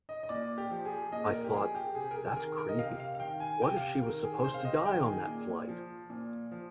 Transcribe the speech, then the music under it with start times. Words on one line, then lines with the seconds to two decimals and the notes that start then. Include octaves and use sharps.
I thought, that's creepy-what if she was supposed to die on that flight?
0.09 D#5
0.23 D#5
0.29 A#2 D5
0.58 G4
0.71 F3
0.85 G#4
1.12 A#2 D#5
1.33 A#4
1.44 G4
1.54 F3 G#4
1.75 G4
1.95 C3 G#4
2.11 A#4
2.16 G#4
2.36 D#3 A#4
2.58 A#4
2.69 D#5
2.79 C3 F5
3.00 F5
3.15 F5
3.20 D#3 G5
3.40 G#5
3.62 C3 G5
3.77 F5
3.82 G5
4.02 D#3 A#4
4.24 G#4
4.44 C3 C5
4.54 F5
4.65 D#5
4.86 D#3 G5
5.06 G#4
5.27 A#2
5.69 F3
6.10 A#2
6.51 F3